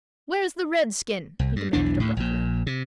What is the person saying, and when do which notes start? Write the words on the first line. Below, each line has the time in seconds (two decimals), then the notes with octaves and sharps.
"Where is the redskin?" he demanded abruptly.
1.39 C2
1.56 G2
1.73 B1 E2 E3 D4
2.00 D2 A2
2.17 A#1 A#2
2.67 C3